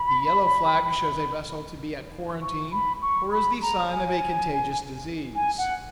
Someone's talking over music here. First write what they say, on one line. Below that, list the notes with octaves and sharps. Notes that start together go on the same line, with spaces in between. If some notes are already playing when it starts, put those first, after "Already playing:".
The yellow flag shows a vessel to be at quarantine or is the sign of a contagious disease.
Already playing: B5
C#6
B5
C#6
B5
A#5
G#5
G#5
F#5